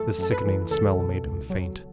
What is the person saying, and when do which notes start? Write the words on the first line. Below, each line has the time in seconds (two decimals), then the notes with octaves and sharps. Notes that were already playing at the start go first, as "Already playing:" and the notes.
The sickening smell made him faint.
Already playing: F#2 E3 A3 A4
0.18 F#2 A4
0.32 B4
0.45 E3
0.71 C#2 A4
0.98 B2
1.24 C#2
1.50 F#3